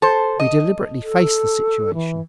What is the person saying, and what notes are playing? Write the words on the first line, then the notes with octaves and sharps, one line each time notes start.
We deliberately faced the situation.
A4 C5
D#5
A4
E3